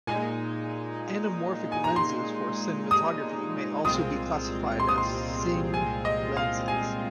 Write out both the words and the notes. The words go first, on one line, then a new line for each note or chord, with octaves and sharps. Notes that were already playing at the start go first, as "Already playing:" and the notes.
Anamorphic lenses for cinematography may also be classified as cine lenses.
A#2 G#3 D#4 G#5
G#5
A#5
C6
D#6
C2 A#2 G#3 C4 F4 D#6
C6
D#6
C6
G#5
D#5
F5
G#5